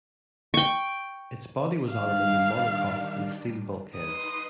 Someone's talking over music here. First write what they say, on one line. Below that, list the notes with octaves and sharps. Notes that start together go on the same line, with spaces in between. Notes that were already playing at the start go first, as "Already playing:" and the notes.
Its body was aluminium monocoque with steel bulkheads.
G5 C#6
D#3 G3 D4 F5
D#4 B4 C6 D#6